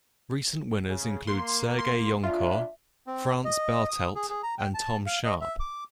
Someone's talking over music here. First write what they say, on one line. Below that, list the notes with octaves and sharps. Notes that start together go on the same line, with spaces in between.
Recent winners include Serge Joncour, Franz Bartelt and Tom Sharpe.
C#3
A#3 C6
C6
G#2 C#3 D4 F4 E5
C4
D#5
D#6
G#4
G#4
A#5
G5
A5
F5
D#5
E5
D6